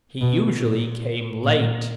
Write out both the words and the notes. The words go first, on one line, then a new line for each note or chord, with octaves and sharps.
He usually came late.
B2
A#2
A#2